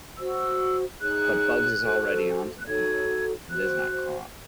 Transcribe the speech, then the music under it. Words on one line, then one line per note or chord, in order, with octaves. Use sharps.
But Bugs is already on to them, and is not caught.
F#4 C5 E6
D#4 G#4 C#5 F#6
F#4 A4 C5
F#6
D#4 F#4 A4 C#5 G#6
F#4 C5 F#6